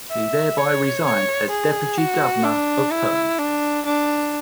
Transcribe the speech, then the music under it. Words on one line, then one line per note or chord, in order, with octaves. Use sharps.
He thereby resigned as Deputy Governor of Perm.
E5
C#5
C#5
G#4
F#4
D4
E4
D4
D4